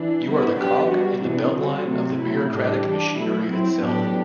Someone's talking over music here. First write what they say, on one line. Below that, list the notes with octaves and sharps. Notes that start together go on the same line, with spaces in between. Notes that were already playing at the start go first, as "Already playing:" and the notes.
You are the cog and the beltline of the bureaucratic machinery itself.
Already playing: E3 D4
G3 B3 E4
F#3 B3 D4 G4
G3 D4 F#4
C3 E3 B3 D4
D3 G3 C4 F#4
C3 F#3 A3 C4
C3 F#3 A3 E4
A2 G3 D4 G4
E3 G3 D4
F#3 A3 E4
F#3 C4 E4
A2 F#3 B3 D4 G4